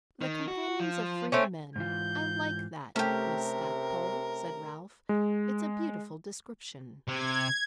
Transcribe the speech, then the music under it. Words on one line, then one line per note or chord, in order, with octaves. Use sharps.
"The companions of freemen--I like that, Miss Stackpole," said Ralph. "It's a beautiful description."
D#3
F#4
F3
A3 C4 C#4
G#2 E3 F4 G6
C3 A3 C#4 G4 A#4
G#3
C3 G#6